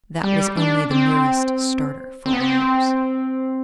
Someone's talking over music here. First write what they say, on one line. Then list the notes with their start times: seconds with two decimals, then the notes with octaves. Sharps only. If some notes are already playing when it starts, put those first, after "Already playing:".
That was only the merest starter for ours.
0.23 G3
0.57 D4
0.91 C4
2.26 C4
2.33 B3
2.40 C4